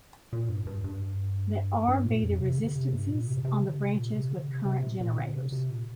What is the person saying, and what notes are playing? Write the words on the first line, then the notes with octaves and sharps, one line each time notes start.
Let R be the resistances on the branches with current generators.
A#2
G2
G2
G2
G2
A#2
F2
C3
D3
C3
G2
A#2
C3
C3
D3
C3
A#2
C3
D3
C3
C3
A#2
A#2
D3
C3
C3
A#2